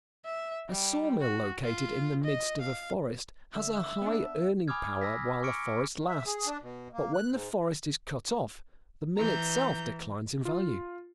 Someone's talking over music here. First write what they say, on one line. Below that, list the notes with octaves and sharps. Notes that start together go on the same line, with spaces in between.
A sawmill located in the midst of a forest has a high-earning power while the forest lasts, but when the forest is cut off the mill itself declines in value.
E5
G3
F#4
F4
D#5
F5
D3 E5
B3 D4
G#5 B5 D6 D#6 F6 G#6
E6 A#6 B6
C#6 D6 F6 C#7 D7
D#3
E5
G#4
D4
B2
A#3
F#6
G#2
E3 A#5 G6
F4